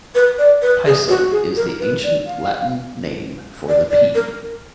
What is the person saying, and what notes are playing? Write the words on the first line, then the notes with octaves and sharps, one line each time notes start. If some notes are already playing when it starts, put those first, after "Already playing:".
'Pisum' is the ancient Latin name for the pea.
B4
D5
B4
G#4
F#4
G#4
A#4
B4
D5
F5
D5
D5
A#4